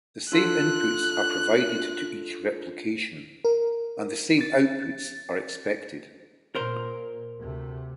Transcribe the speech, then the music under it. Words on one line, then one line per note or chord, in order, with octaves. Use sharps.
The same inputs are provided to each replication, and the same outputs are expected.
D4 F4 A4 F#6
A#4
A6
A#2 A#4 C5
D2 C3 A3